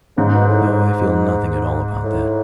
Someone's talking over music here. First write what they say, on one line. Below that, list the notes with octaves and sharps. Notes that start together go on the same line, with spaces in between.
No, I feel nothing at all about that.
G#2 C#3
B2
A2
G#2
A2